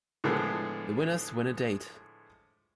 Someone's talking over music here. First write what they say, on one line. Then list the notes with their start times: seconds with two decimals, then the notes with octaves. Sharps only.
The winners win a date.
0.24 A2 D3 F3 G#3 A3 B3